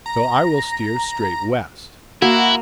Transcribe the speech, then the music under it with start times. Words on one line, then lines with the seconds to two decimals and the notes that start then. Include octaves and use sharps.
So I will steer straight west.
0.06 A#5
2.22 A#3 E4 F#4